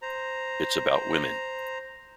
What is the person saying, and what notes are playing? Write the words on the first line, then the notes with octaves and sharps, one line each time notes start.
It's about women.
C5 A#5